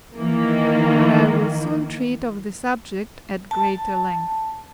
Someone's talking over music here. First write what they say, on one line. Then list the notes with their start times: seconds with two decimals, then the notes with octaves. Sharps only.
But I will soon treat of the subject at greater length.
0.16 D#3 E3 A#3
3.51 A5